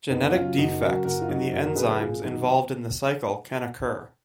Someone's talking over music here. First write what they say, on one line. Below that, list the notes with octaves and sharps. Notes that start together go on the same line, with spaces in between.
Genetic defects in the enzymes involved in the cycle can occur.
F#1 B3 D#4
F#2 C#3 F#3 C#4 F4
F#1 D#4 F#4
F#2 C#3 F#3 F#4 A#4
F#1 F#4 A#4
F4
F#2 C#3 F#3 D#4 F#4
F#1 F#4 A#4
F#4 A#4
F#2 C#3 F#3 G#4 B4
G#4 B4
G#1 F4 G#4
F#2 D#3 F#3 D#4 F#4